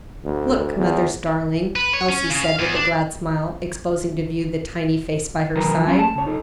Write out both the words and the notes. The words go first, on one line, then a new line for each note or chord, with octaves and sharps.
"Look, mother's darling," Elsie said with a glad smile, exposing to view the tiny face by her side.
D2
E2
B4
C#5
C#4
C#3
F5
E2
D4
D#3 E3 F#3 A#4 B4
E3 F3
F#3 C#4 G#5 C6
A5
C#2 C#5
D#4 A4